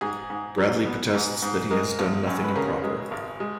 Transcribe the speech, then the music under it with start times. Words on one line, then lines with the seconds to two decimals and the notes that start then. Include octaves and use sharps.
Bradley protests that he has done nothing improper.
0.01 G#2 G#4
0.30 G#2
0.58 F#3
0.85 B3
1.14 G#2
1.42 G#2
1.71 G#3 A#4
1.99 G#1
2.27 F#2
2.44 B4
2.56 C#3 A#4
2.84 G#3
3.11 G#1
3.40 G#3